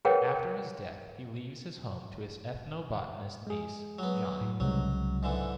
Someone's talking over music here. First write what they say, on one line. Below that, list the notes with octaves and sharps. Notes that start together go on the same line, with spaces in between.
After his death, he leaves his home to his ethnobotanist niece, Jonni.
G#4 A#4 B4 C#5 F#5 G5
G#3 G#4
F#3 B3
A2
C2 C#3 F#3 G#3
G#2 D3 E3